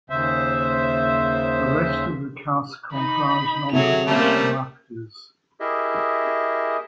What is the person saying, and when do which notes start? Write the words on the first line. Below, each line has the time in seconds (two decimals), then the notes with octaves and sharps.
The rest of the cast comprised non-professional actors.
0.10 D#2 C#3 C5 E5
2.94 D#4 B5
3.73 C3 F#3 G#4 A4 F7
4.07 G3 A3 A#3 C#4 C5
5.60 E4 G4 G#4 A#4 D#5 E5